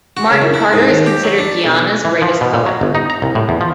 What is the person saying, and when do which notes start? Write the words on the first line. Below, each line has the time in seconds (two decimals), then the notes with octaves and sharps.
Martin Carter is considered Guyana's greatest poet.
0.17 F#4
0.30 C#3
0.42 F#2
0.54 E4
0.73 G#2
0.89 D#2
1.06 G4
1.23 F#3
1.38 D4
1.64 B1
2.05 E3
2.22 F3
2.41 B2
2.54 A#2
2.66 F#3
2.81 G1
2.95 D#4
3.10 A#5
3.22 C2
3.35 A2
3.49 E2
3.61 F3